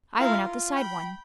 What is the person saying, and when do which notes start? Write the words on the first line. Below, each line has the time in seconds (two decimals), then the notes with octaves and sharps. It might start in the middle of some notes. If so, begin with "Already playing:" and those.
I went out the side one.
0.19 E4 F4 A#4 F5
0.39 F4
0.76 G5 B5